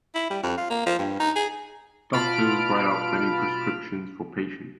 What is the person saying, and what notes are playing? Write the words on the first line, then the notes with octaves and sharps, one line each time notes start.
Doctor's write out many prescriptions for patients.
E4
G3
F2
F4
A#3
F3
G2
D#4
G#4
B2 F4 A5 B5 F6 D7